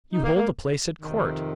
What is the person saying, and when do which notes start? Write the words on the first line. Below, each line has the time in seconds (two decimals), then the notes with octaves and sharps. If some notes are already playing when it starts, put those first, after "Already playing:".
You hold a place at court.
0.13 D#4
0.24 A#3
0.36 A#3
1.01 F2 C3 D#3